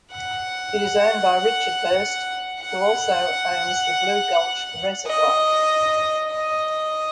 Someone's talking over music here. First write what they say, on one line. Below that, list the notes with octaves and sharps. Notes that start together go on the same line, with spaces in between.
It is owned by Richard Hurst, who also owns the Blue Gulch Reservoir.
F#5
F#5
D#5
D#5